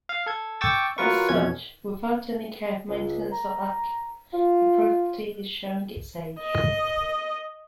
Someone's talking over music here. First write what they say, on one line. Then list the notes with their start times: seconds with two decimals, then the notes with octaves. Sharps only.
As such, without any care, maintenance, or upkeep, the property is showing its age.
0.09 F5
0.26 A4 G#6
0.61 G5 C#6 D6 E6 A6
0.98 F#3 F4 A#4 B4 C#6
1.29 F2 B2 E3 C#4 G#6
2.88 C#2
3.32 A#5
4.33 F4
6.40 D#5